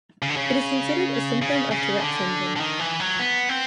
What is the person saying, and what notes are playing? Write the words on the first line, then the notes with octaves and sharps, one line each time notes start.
It is considered a symptom of Tourette syndrome.
C#3
D3
C#3
C#3
C#3
D3
D3
D#3
E3
F#3
B3
C4